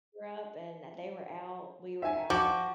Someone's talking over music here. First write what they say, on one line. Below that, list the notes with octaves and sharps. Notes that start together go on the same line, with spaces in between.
grew up and they were out we were out
E5 G#5
F3 F#4 D6